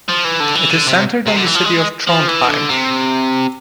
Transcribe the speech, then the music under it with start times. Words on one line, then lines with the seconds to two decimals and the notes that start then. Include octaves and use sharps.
It is centered on the city of Trondheim.
0.08 F3
0.24 E3
0.40 D3
0.55 E3
0.71 D3
0.87 C3
1.27 C3
1.36 D3
1.46 E3
1.55 F3
1.65 G#3
2.07 F3
2.28 E3
2.48 D3
2.69 C3